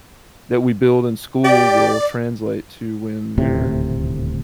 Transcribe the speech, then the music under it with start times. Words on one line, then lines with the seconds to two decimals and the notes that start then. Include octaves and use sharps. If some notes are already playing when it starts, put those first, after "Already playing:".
that we build in school will translate to when we're
1.44 G4 D5
3.38 D#1 D2 A2 C3